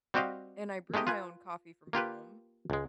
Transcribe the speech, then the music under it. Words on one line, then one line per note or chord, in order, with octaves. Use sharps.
And I brew my own coffee from home.
G3 C4 F#4 G4 D#5 F5
G#3 A3 D#4 G4 D#5
F4 B4 G#5
A#3 F4 G4 B4
C#2 G#3